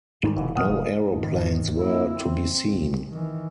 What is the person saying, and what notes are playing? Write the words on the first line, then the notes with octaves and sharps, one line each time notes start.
No aeroplanes were to be seen.
G#2 D#3 G3
F1 B2 E3
F2 A#2 D#3 F#5 D#6 F6
F1
G#1 D#3
A#3 E4
C4
C2
D#3 E3